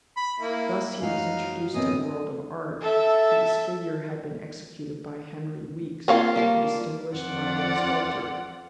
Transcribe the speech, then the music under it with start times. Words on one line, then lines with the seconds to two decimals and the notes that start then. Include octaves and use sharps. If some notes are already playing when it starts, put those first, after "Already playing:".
Thus he was introduced to the world of art, for this figure had been executed by Henry Weekes, a distinguished London sculptor.
0.17 B5
0.40 A#3 E4
1.00 F#2 G#3 D#4 F#4 F5
1.74 F#2 B3 C4 D#5
2.81 A4 E5
6.08 A#3 C4 F4 C#5 F5
6.36 G3 A#3 A5
7.14 F2 F4 D5 F#5